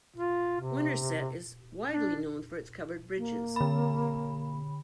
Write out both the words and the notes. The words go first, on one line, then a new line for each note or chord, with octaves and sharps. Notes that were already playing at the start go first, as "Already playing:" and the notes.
Winterset is widely known for its covered bridges.
F4
C3
D4
A#3
D3 B5